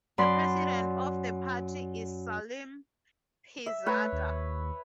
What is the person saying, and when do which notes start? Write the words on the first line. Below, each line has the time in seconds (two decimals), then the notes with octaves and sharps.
The president of the party is Saleem Peerzada.
0.18 F#2 D5 B5 C6
3.66 E5
3.86 A3 B4 C#5
4.13 D#2